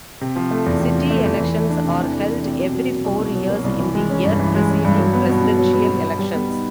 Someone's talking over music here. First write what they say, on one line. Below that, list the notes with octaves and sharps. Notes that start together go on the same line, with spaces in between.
City elections are held every four years in the year preceding presidential elections.
C3
F3
A3
E2
C3
F3
A3
E2
E3
A3
D4
C3
E3
A3
D4
C3
B2
F#3
A#3
C2
B2
F#3
A#3
C2
E3
G#3
C#4
G2
E3
G#3
C#4
G2
F#3
B3
B2
B2
F#3
B3
B2
B2
G3
B3
D#4